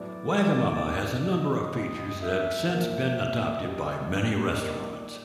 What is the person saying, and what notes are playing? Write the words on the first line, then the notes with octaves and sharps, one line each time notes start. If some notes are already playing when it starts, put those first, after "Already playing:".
Wagamama has a number of features that have since been adopted by many restaurants.
Already playing: A2 F#3 B3 D5
G#1 G#2 D#3 G3
D#5
C#2 B2 G3
E5
A#1 A#2 F3 A#3 E5
C#2 B2 G3 D#5
D5
A#2 G3 A#3 D#4